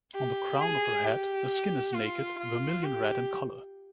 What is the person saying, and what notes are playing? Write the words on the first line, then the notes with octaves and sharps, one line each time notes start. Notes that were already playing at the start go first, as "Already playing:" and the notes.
On the crown of her head, the skin is naked, vermilion red in color.
G4
G#4
G4
F4
F4
G4